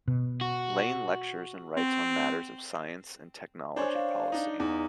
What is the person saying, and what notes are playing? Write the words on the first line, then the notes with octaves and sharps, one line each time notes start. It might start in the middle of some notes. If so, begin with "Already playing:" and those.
Lane lectures and writes on matters of science and technology policy.
B2
F#4
C4
D4 C5 C#5 G#5
F5
D4 D#4
E2 D#4